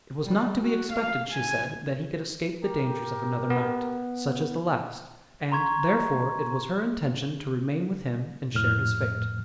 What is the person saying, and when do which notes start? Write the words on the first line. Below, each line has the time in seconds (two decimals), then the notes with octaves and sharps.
It was not to be expected, she said, that he could escape the dangers of another night, such as the last; and therefore it was her intention to remain with him, and share his fate.
0.24 G3
0.63 F#4
0.93 F5
1.33 G#5
2.63 G4 A#4
3.50 B3
5.52 A#5 C6 C#6 G#6
8.54 F2 A2 F6